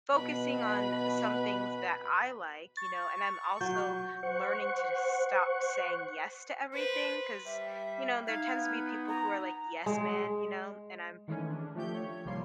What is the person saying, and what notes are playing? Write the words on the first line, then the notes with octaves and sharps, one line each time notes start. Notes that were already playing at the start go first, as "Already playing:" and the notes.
focusing on some things that I like, you know, and I'm also learning to stop saying yes to everything, 'cause, you know, there tends to be people who are like, yes-men, you know, and I'm
B2 B4 B5
C#6 A6
F#3 G6
C5 F#5 C#6
B4 C5
G3 E5
D#4 F5 G#6
B3
A#5
G#3
D#3 E3 G#3 A3 C#4
D4
F3 A3 G4 G6
C#5
G#1 C3 F3 G3 A#3 C6